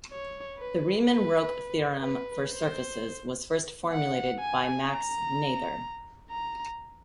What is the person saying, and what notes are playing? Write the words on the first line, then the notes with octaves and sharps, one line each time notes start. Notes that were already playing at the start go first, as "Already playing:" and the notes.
The Riemann-Roch theorem for surfaces was first formulated by Max Noether.
C#5
B4
B4
B4
C5
F#5
G#5
A#5
A#5